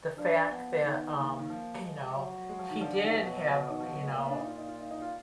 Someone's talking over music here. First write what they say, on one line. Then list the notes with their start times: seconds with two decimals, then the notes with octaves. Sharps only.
the fact that, um, you know, he did have, you know
0.18 F3 D4
0.51 B3
0.84 D#3 B3
1.16 D#3 A#3
1.28 D#3
1.39 D#3
1.50 F3
1.83 G#3
2.16 F#3
2.49 G#3
2.59 F3
2.71 D#3
2.81 D3 F3
2.93 F3
3.03 D#3
3.14 B2 F3
3.26 F#3
3.37 F#3
3.48 F3
3.70 D#3
3.80 F3
3.92 F#3
4.03 G#3
4.13 A#2 A#3
4.22 B3
4.30 D4
4.39 D#4
4.47 F4
4.58 D#4
4.68 F4
4.80 D#4
4.91 D#4
5.02 F4